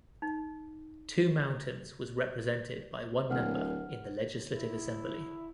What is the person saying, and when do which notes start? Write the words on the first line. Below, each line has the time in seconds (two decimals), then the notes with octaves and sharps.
Two Mountains was represented by one member in the Legislative Assembly.
0.22 D#4
3.30 D1 A#4 F#5 F6
4.55 E4